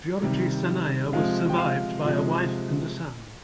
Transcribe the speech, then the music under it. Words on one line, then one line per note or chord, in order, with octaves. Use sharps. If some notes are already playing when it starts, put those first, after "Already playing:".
Giorgi Sanaia was survived by a wife and a son.
C3 D#3 G3
C3 F3 G#3 F5
G5
F5
C3 F3 G#3